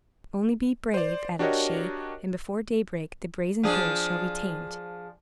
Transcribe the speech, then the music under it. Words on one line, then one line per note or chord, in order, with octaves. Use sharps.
"Only be brave," added she, "and before daybreak the brazen bulls shall be tamed."
C5 D5
D4 F#4 G4 A#4 C#5 D#5
F3 D4 G#4